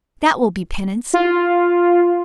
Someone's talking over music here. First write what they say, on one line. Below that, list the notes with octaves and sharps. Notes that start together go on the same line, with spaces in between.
THAT will be penance.
F4